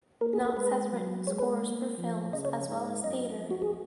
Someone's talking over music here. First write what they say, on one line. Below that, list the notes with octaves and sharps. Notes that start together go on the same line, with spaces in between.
Knox has written scores for films as well as theater.
A#3 A#4
G#4
B4
A#4
G#3 B4
F#3
G#3 C#5
B4
A#3
F3
C#3 D#5
C#5
G#2
F#2 D#5
F2
F#4
G#4